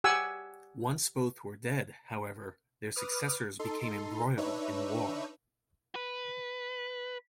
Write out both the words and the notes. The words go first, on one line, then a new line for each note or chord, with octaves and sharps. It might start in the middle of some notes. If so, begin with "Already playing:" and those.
Once both were dead, however, their successors became embroiled in war.
G4 F#5 G#5 E6
B4 D6 D#6 F6
D#4 A4 C6
D4 D#4 B4 C#5 E5
B4